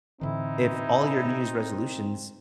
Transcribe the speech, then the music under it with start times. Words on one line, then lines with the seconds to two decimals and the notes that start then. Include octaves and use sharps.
if all your New Year's resolutions
0.21 A2 D3 E3 C4 D#4 E4